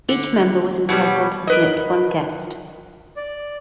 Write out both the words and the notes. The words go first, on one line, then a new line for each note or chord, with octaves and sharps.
Each member was entitled to admit one guest.
D3
B2 F#3 G3
A#4 B4 D#5
D5